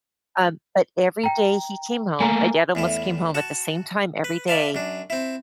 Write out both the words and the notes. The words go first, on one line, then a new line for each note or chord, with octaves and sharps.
Um, but every day he came home- my dad almost came home at the same time every day-
G5 A#5
A3 A#3 G#5 A#5
E2 A2 E4
F#4 A5
B4
D5 E5 F5 A5
F#2 D4
C4 E4